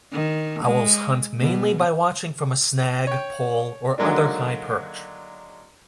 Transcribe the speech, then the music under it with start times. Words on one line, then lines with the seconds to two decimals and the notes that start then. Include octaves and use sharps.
Owls hunt mainly by watching from a snag, pole or other high perch.
0.13 D#3
0.65 G#3
1.40 B2
3.07 C#5 G5
3.98 D3 D#3 F#3 G#3 A#3 D4